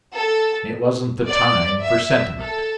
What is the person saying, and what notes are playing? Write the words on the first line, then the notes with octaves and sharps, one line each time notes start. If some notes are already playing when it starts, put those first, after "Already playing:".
"It wasn't the time for sentiment."
A4
D5
E5
A4